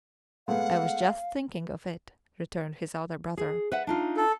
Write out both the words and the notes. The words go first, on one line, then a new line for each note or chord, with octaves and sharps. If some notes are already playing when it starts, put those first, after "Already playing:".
"I was just thinking of it," returned his elder brother.
G#3 A3 B3 F5 F#5
G#4
B4 E5 F#5
D4 D#4 F4
A4